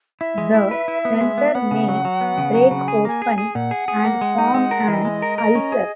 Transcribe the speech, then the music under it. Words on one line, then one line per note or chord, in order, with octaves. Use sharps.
The center may break open and form an ulcer.
E4 E5
G#3
E4
B4
E4
B3
G#3
B3
B3 F#5
C#3
F#3
F#3
B3
C#3
F#3
C#3
G#4 G#5
A#3 G#5
G#4
G#4
A#2 F#5
G#4
G#4
A#3
G#3
D#4
G#3
A#4
E3 D#5
G#3
A#4
A#4
C#4
G#4